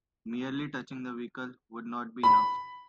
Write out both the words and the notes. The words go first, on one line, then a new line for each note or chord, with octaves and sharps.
Merely touching the vehicle would not be enough.
B5